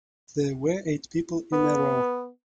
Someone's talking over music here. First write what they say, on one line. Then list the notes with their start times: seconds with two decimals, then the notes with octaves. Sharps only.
There were eight people in a row.
1.53 B3